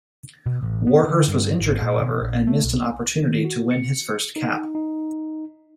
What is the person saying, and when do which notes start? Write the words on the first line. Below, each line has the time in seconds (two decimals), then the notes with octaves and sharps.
Warhurst was injured, however, and missed an opportunity to win his first cap.
0.46 B2
0.63 A1
0.87 B3
1.04 D3
1.28 G2
1.61 G#1
1.82 A#2
2.01 B2
2.22 A#1
2.47 A3
2.64 B1
3.24 D#3
3.45 F#4
3.71 C#7
4.36 D#4
4.75 D#4